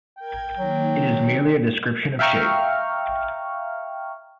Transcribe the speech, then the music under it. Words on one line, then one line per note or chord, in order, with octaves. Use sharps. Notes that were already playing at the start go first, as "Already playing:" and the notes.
It is merely a description of shape.
A#4 G5 G#6
D#3 F#3 A#3
E5 F5 G5 A#5 C#6 F6